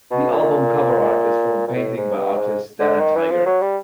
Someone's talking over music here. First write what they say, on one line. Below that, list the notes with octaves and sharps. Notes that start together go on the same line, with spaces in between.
The album cover art is from a painting by artist Dana Tiger.
B2
A#2
A#2
A2
G#2
G2
G#2
D3
D#3
E3
F3
F#3
G3